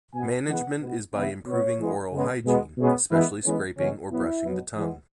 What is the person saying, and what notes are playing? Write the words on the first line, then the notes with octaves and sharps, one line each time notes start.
Management is by improving oral hygiene, especially scraping or brushing the tongue.
B2 B3 G#5
E3 G#3 B3 F#5
B2 B3
C#3 E3 B3 E5
B2 B3 C#5
E3 G#3 B3
C#3 G#3 B3
B2 G#3 B3
B2 G#3 B3 C#4
E3 G#3 B3 E4
E3 G#3 B3 C#4
C#3 E3 G#3 B3 C#4
B2 F#3 B3 E4
B2 F#3 B3
E3 G#3 B3